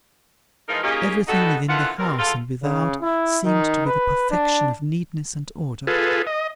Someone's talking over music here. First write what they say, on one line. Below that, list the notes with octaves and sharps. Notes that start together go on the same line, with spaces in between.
Everything within the house and without, seemed to be the perfection of neatness and order.
E3 F3 G#3 D#4 F4 A#4
A#3 C#4 D#4 F4 G4 G#4
G3 B3 D#4 F#4 A4
D3 E3 F4 A#4 F#5
B2 G3 C4 A#4
E2 F4 A4
C#3
E4
D#3
B4
D4
F4 G#4 A4 B4
D#5